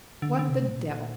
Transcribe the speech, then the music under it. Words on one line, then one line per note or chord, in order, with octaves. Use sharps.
What the devil!
D3
D3
C3
A2
A#2